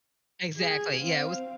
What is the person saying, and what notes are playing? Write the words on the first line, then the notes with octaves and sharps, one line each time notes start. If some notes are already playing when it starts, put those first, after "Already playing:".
Exactly. Yeah, it was
G#4
C4 F5